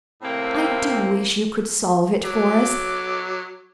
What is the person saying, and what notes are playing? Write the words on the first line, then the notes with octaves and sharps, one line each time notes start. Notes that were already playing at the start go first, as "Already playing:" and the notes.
I do wish you could solve it for us.
A2 C3 A#3 C4
F#3 D6